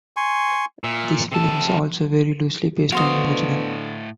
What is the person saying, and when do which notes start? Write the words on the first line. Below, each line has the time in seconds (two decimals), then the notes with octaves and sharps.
This film is also very loosely based on the original.
0.17 G#5 C6 C#6
0.84 A#2 E5 E6
1.32 C3 A4 A5
2.92 A2 D3 B3 F#4 C5 D#5 F5